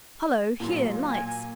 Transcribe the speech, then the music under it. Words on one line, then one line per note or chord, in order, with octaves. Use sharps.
Hollo, here, lights!
A#2 F#3 C6
G#5